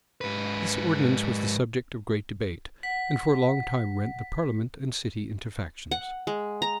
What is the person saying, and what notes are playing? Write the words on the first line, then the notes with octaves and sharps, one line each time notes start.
This ordinance was the subject of great debate, and for a long time rent the parliament and city into factions.
G#2 B4
F#5 B6
F#5
G#3
A#5